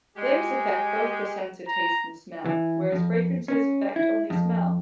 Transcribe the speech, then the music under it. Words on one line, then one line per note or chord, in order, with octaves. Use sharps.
Flavors affect both the sense of taste and smell, whereas fragrances affect only smell.
G#3 G4
A#5
E3
F2
C#4
E4
F2